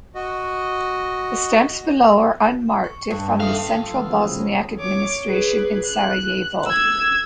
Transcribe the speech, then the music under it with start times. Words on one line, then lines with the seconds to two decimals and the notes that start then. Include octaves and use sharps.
The stamps below are unmarked if from the central Bosniak administration in Sarajevo.
0.15 F#4 D#5
2.84 C#6
3.11 G2
3.40 D#2 A4 E5 F5 D#6
3.77 F4 A4
3.92 E3 A3 B3 A4
4.06 D3 F3 F#3 G#4
4.19 C4
4.31 B2 G3 A#3 C4 C#4
4.79 C#5 D6
5.25 G#4 B4
5.86 F#6
6.66 E6 G#6